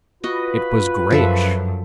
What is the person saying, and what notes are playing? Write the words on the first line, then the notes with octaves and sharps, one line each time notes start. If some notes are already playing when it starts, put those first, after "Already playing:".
It was grayish.
F4 F#4 B4 D#5
F#2 F3 A4 E5